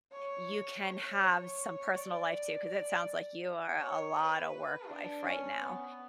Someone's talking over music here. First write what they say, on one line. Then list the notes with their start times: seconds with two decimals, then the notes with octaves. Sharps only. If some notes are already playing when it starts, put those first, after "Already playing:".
you can have some personal life, too, 'cause it sounds like you are a lot of work-life right now.
0.12 C#5
0.85 C#5
1.21 C#5
1.95 D5
2.68 D5
3.78 C#5
4.16 B4
4.88 D4
5.25 C#4
5.62 B3